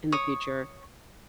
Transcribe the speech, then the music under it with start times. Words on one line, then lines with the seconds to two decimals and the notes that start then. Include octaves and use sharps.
in the future,
0.12 C#5 D#6